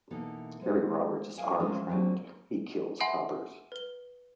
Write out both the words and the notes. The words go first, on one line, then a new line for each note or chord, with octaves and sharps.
Harry Roberts is our friend, he kills coppers.
B2 E3 A#3 B3 D#4 A4
G#3 C5 F#5
A#4 B4 F5 G#5
F3 G#3 A3 C4 C#4 F4
F#3 A#3 C4 D4
E5 F#5 G#5 B5 C6
B4 G7